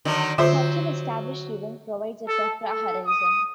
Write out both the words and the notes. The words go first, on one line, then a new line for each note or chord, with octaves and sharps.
Such an established event provides a "tephra horizon".
D3 D#3 F#3
D3 F#3 F4 C5 E5
A4
A4
D#6